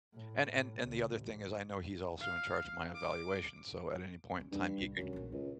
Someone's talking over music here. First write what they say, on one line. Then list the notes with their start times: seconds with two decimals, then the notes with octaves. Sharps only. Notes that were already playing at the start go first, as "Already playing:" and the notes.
And and and the other thing is I know he's also in charge of my evaluation, so at any point in time, he could
0.14 A2
0.49 A2
0.81 C#2
1.15 A1
2.21 F5
2.95 D6
4.36 E3 C#4
4.52 G2
4.78 C2 A2
4.96 F1 C2 F#2
5.13 A#1 E2
5.32 C#2 D3